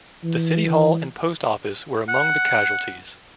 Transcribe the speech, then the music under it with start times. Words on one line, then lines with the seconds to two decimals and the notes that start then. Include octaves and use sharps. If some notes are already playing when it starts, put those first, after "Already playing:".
The city hall and post office were among the casualties.
0.24 E3
2.09 F#5